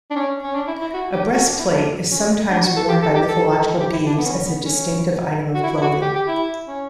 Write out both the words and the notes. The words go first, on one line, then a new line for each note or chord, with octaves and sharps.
A breastplate is sometimes worn by mythological beings as a distinctive item of clothing.
D4
C#4
C#4
D4
E4
E4
F#4
G4
F#4
D4
E4
D4
C#4
D4
F#4
A4
G4
A4
G4
A4
A4
A4
G4
E4
D4
B3
C#4
B3
C#4
F#4
E4
E4
F#4
G4
G4
E4
C#4